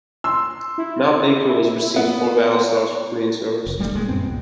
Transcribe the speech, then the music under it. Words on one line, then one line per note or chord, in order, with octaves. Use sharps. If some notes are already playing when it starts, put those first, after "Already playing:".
"Mount Baker" received four battle stars for Korean service.
C6 E6
E4
B3
F1
D1 D2 G3 A#3
D1 G#3
F#2 A#2 B3 C4
C2